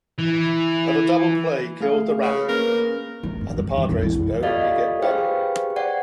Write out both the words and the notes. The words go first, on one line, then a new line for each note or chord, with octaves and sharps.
But a double play killed the rally and the Padres would only get one.
E3
A3 G#4 F5
C#3 B4
A#3 C#4 A#4
A3
G2
A#3
G3
F2
E4
F4 G4 A4 D5 D#5 F5
G4 G#4 B4 C5 F5 G5
D5 F#5 G5